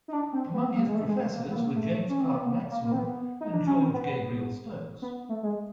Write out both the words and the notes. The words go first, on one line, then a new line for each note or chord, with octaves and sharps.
Among his professors were James Clerk Maxwell and George Gabriel Stokes.
D#4
D4
C4
B3
A#3
G#3
A3
G#3
A3
A#3
B3
A#3
A3
C#4
C4
B3
A#3
A3
A#3
A#3
C4
B3
D#4
D4
C#4
C4
B3
B3
B3
A3
G#3